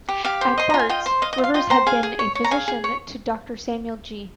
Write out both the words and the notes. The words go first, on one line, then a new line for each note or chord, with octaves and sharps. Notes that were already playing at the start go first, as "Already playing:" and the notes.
At Bart's, Rivers had been a physician to Doctor Samuel Gee.
G4
G4 F5
C5
D#5 C6
F4 A#5
G#5
F4 D#5 G5
C5
D#5 F5
D#5
F4
F5
F4 D#5 G5
C5 G5 A#5
G#4 F5 G#5
G#4
C#5
C#5
A#5
G#4 F5 G#5
G#4
C#5